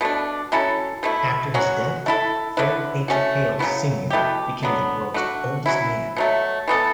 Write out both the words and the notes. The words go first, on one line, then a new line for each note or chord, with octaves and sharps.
After his death, Fred H. Hale, Senior became the world's oldest man.
B2 A3 D4
F#3 C#4 E4 A4
B2 A3 E4
F#3 C#4 F#4
A3 E4 A4
D3 A3 E4 B4
A3 C#4 F#4
C#3 F#3 B3 E4
B2 A3 E4 G4
D3 F#3 B3
A3 D4 F#4
F#3 C#4 E4
B2 F#3 A3
E3 B3 D4 A4